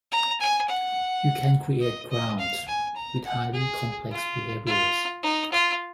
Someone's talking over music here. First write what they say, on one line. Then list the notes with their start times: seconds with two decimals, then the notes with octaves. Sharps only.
You can create crowds with highly complex behaviors.
0.11 A#5
0.40 G#5
0.68 F#5
1.82 D#5
2.11 D#5
2.39 F5
2.68 G#5
2.96 A#5
3.24 F#5
3.53 G#4
4.10 F4
4.66 F4
5.23 D#4
5.52 F4